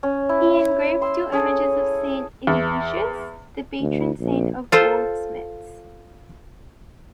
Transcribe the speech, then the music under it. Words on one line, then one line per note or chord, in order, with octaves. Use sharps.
He engraved two images of Saint Eligius, the patron-saint of goldsmiths.
C#4
E4
C6 E6
C#4 G#4 A4
E2
D2
A#1
F4 A4 C5